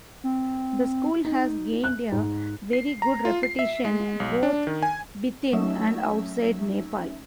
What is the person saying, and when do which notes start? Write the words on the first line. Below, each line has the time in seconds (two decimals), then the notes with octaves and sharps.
The school has gained a very good reputation both within and outside Nepal.
0.24 C4
1.25 D#4
1.84 F#6
2.12 G#2
2.73 C7
3.02 A#5
3.25 F4
3.43 C7
3.59 E5
3.85 G#3
4.20 B1
4.43 D4
4.67 D#3
4.82 G#5
5.53 F#3 A3 C#4 D#4 E5 E6